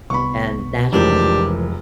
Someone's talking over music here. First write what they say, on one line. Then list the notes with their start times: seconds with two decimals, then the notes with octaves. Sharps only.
and natural,
0.10 C2 B3 B5 C#6
0.93 F1 C#2 E3 F3 D4 G4 A#4